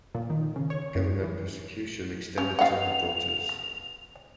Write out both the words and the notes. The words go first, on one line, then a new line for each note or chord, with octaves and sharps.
Government persecution extended to her daughters.
A#2
D#3
C#3
C#5
F#2
E3
C#4 F7
B3 G4 D#5 F5 F#5